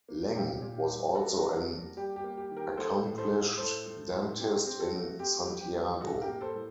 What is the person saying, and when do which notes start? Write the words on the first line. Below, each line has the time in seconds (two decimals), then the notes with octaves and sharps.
Leng was also an accomplished dentist in Santiago.
0.08 A#3
0.35 A#2 G4
0.62 A#2
0.89 G3
1.15 G3 F#4 A4
1.42 G3
1.70 A#3
1.97 G3 G4
2.16 G4
2.24 A#3
2.37 G4
2.51 D#3
2.57 G4 A#4
2.77 A3 A4 C5
3.04 A2
3.18 A4 C5
3.31 A2
3.58 A2 A4 C5
3.86 A3
4.12 A2
4.39 C4 G4
4.66 C4
4.80 F#4 A4
4.93 A3
5.19 C4 G4
5.46 F#3
5.60 G4
5.74 A3
6.01 A2 F#4 A4
6.21 G4 A#4
6.27 A#3
6.41 A4 C5
6.55 A2